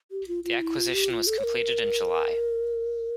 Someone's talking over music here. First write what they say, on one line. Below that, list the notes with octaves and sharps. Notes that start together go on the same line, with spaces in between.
The acquisition was completed in July.
G4
F4
F4
E4
F4
G4
F4
A4
C#5
A#4